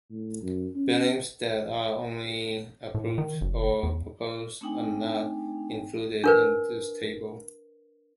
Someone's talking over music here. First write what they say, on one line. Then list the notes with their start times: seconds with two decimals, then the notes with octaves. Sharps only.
Buildings that are only approved or proposed are not included in this table.
0.11 A2
0.42 F#2
0.75 C#4
2.95 A2
3.18 D#3
3.41 F#1
3.83 E2
4.61 A3 C4 D4 D#4 G5 G#5
6.24 D4 A#4 B4